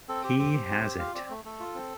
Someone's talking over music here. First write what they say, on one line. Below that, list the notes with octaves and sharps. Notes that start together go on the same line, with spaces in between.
He has it.
C4 A4
G4 C5
C4 C5
G4
C4
G4
F4 F5
C4 D5
A3
A3 A4
F4
C4